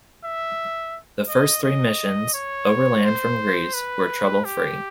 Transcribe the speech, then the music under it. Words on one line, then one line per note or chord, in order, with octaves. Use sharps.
The first three missions, overland from Greece, were trouble-free.
E5
D#5
D#5
C#5
C5
B4
G4